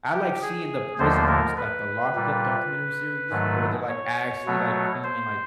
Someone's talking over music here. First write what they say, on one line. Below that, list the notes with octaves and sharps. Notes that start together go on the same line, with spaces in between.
I like seeing the prison ones, like the Lockup documentary series, where they're, like, actually, like, filming, like,
G4
G#4
D#2 D3 F3 A3 C5
A#4
B4
A#2 G3
G#2 D#3 F#3 A3
C#5
B2 F#3 A3
C5